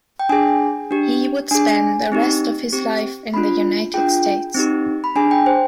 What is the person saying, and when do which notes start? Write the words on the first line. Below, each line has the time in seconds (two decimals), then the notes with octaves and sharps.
He would spend the rest of his life in the United States.
0.19 G5
0.29 D4 G#4 G#5
0.91 D4 G4
1.51 D4 G#4 G#5
2.12 C4 D#4 G4
2.73 C4 G4
3.34 B3 D4 F4 B5
3.94 D4 F4 G#4 G5
4.54 C4 D#4 G4
5.04 B5
5.16 D4 G#4 G#5
5.31 G5
5.46 C5